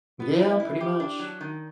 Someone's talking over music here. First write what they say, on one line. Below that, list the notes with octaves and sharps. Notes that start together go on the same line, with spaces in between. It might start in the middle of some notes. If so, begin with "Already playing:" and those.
Yeah. Pretty much.
B3
E4
E4
G4
D4
F#3
D#3